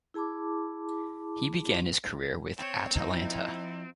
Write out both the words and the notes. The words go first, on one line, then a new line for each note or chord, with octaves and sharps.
He began his career with Atalanta.
E4 G#4 A5 B5 D6
C4 C#5 G5
F3 D#4 E4